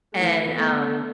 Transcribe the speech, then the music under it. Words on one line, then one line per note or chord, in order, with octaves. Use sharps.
And, um,
E3 F3 A3
A3 B3